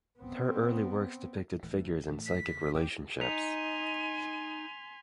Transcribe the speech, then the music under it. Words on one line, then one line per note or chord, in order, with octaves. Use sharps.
Her early works depicted figures in psychic relationships.
B3 C4
D1 E3 A3
A2 E3 A3
B6
E2 C#3
G#1 E2 B3 G4
D#4 G#5 C6 B6 D#7 F7